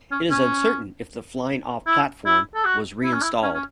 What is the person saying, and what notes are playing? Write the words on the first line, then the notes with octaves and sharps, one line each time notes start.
It is uncertain if the flying-off platform was reinstalled.
C#4
C#4
E4
E4
A4
F#4
E4
C#4
E4
C#4
C#4